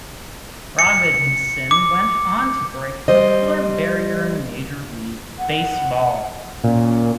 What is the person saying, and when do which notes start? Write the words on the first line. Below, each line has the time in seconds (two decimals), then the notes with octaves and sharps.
Robinson went on to break the color barrier in Major League Baseball.
0.79 C#7
1.71 D6
3.08 G3 C5 D#5
5.39 F#5
6.64 A#2 C#4